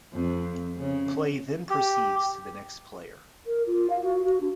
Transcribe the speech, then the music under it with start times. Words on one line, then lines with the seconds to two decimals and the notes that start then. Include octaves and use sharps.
Play then proceeds to the next player.
0.13 F2
0.78 C#3
1.70 G4
3.47 A#4
3.67 F4
3.90 F5
4.03 F#4
4.25 F#4
4.41 D4